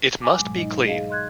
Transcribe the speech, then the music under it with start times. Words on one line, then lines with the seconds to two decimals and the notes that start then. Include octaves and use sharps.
It must be clean!
0.22 G#5 D6
0.39 G#2 B2 F#3 G#3
0.58 D#4 D#5
0.86 G#4 D#5 F5
1.09 D#5 C6 F#6 G#6